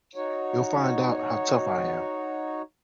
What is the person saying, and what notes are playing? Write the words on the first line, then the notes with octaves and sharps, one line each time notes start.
You'll find out how tough I am.
D#4 F#4 C#5